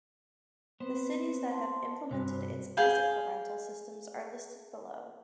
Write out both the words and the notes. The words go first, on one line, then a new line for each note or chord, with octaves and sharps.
The cities that have implemented its bicycle rental systems are listed below.
B3 C4 B4 C5
A5 C6
G2 C3 F#4 C5
G#4 F5 G5